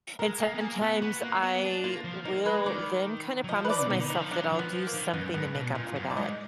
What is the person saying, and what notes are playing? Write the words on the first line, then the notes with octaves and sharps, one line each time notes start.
and sometimes I will then kinda promise myself that I'll do something to make up for that,
G#3 A#4
A#3 G#4
B3
A#3 G#4
B3 F#4
B3 F#4
A#3 F#4
B3 F#4
D4
A#3 F4
F3
A#3 D#4
G#3 B4
D#3 D5
F#3
F3 D#5
B4
D5
B2
D#4
D3
D#3 D#4
F3
F#3 D4
F3
B3
F3
A#3
D#3
F#2 B3
G#2 B3
B2 D4
A#2 F4
F4
F#2 F#4
D5
G#2 D#5